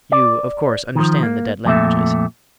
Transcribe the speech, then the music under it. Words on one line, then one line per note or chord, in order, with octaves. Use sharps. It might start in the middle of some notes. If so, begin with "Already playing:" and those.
"You, of course, understand the dead languages?"
D5
D#3 F3
A#3
F2 A#2 A3 E5